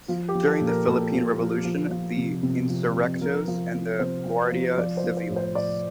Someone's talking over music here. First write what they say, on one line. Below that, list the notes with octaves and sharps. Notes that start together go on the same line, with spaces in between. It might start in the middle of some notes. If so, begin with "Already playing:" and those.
During the Philippine revolution the "insurrectos" and the "Guardia civiles".
F3 F4
G4
F3
A4
A#2
A#4
A#2 A4
F3
F3
F3
F3
C3
C3
F3
F3
F3 A#4
F3
C3
C3 C5
F3
F3
F3 D5
C5
F3
C5
A2
C5
A2 D5